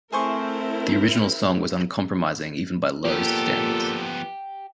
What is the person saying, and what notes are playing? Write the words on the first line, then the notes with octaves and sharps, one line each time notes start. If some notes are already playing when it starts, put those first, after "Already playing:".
The original song was uncompromising even by "Low"'s standards.
A3 C4 E4 G#4 A#4 C5 C#6
A#2 F3 B3 G4 A4